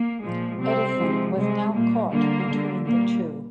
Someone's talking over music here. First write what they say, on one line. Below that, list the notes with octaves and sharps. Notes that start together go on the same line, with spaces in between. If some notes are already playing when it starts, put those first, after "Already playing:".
Edison was now caught between the two.
Already playing: A#3
A#2 F3 G#3
C3 G3 C4
C3 F3 G#3
C3 G3 G#3
A#2 G3 A#3
D3 G3 A#3
D3 G3
A#2 G3 A#3